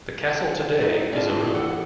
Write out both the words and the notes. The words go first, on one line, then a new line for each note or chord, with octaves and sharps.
The castle today is a ruin.
A3 D#4 E4
G3 G#3 C4 D4 F4 A5
E3 G4
A4 F#5